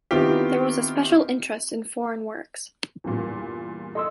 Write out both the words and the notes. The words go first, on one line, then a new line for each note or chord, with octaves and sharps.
There was a special interest in foreign works.
D#3 B3 C4 E4 F4 G4
E2 G2 A#2
A4 D#5 C6 E6